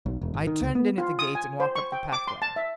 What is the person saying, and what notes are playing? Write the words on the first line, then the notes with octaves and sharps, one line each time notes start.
I turned in at the gate, and walked up the pathway.
B1
E1
G#1
D#3
C#2
B3
F4
D#6
G#5
C5
C#6
G5
D6
C6
A5
E5